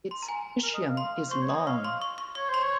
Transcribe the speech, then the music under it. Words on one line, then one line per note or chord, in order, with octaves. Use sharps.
Its ischium is long.
C6
A#5
G#5
A#4
D#5
F5
C6
C5 C#6
C#5
D#6
D#5
F5 C#6
C6
C#6
C#6
C#5 C#6
C5 C6
C#5